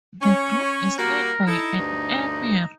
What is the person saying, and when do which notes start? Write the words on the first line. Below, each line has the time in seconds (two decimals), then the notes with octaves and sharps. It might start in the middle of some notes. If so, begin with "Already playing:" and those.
The group is led by an "Emir".
0.22 C#4 C#5
0.98 G3 A#3 F#4 A#4
1.47 D#4 E4 A4
1.78 D2 G2